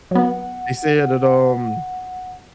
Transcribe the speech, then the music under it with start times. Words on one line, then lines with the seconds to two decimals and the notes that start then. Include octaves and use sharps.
they said that, um
0.11 F#3 B3 F#5